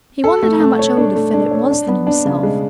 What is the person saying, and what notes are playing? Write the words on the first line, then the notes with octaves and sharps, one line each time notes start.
He wondered how much older Philip was than himself.
A4
A3
A3
C#5
D4
A3
D4
C#5
D4
B3
D4
C#3
G#3